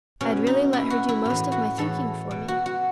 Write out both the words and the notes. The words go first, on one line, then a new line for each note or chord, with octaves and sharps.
I had really let her do most of my thinking for me.
B2 C#4
D#4
B2 E4
F#4
E4
A2 E3
F#4
A2 E3 A4
B2
F#4
F#4